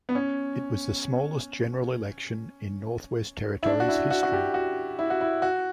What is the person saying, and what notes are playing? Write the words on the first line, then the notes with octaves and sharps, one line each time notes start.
It was the smallest general election in Northwest Territories history.
B3
C#4
E4
D4
F#4
E4
F#4
F#4
G4
F#4
E4
F#4
E4
F#4